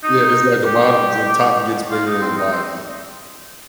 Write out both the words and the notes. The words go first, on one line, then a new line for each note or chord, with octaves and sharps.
Yeah, it's like the bott the top gets bigger than the bottom,
D#4
G4
F4
D#4
C4
D#4
C4